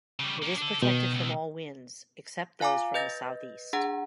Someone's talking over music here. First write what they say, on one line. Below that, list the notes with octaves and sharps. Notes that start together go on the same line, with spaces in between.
It is protected from all winds, except those from the southeast.
C#3 G3
A#3 C#4
D4 A4
B2 D#3
C#2
F4 F5 G#5 A#5 D6
B4 D#5 G6 A6 A#6
D4 G#4 F#5 A#5